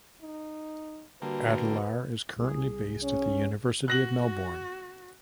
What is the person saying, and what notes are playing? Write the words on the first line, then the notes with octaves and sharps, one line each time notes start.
Adelaar is currently based at the University of Melbourne.
D#4
D3 G3 A#3 F#4 B4
C2 G#4
C#4
F#4 F#6 A#6 F#7